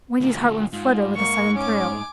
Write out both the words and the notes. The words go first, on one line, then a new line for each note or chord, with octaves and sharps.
Wendy's heart went flutter with a sudden thrill.
D2 A#2
G#2 F4
A#3 C#6
C#4 G#5 D6